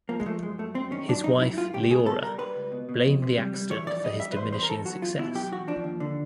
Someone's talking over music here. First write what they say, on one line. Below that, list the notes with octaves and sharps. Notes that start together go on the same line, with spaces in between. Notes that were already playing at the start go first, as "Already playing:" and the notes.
His wife, Leora, blamed the accident for his diminishing success.
F3 A#3
G#3
F3 A3
F#2 G#3
F#2 A3
F#2 C4
D#3 C#4
F#2 D4
F#2 D#4
F#2 E4
F#2 F4
C#2 G4
B2 G#4
G3 A4
G3 A#4
G3 B4
C#2
B2
B2
F2
C3
G3
G3
E3 C#5
F2 D5
G3 D#5
G3 E5
B4
E2 C5
E2 C5
A#4
E2 A4
F#3 F#4
E2 F4
B2 E4
F#3 G4
E2 F#4
F3 D4
D#2
D3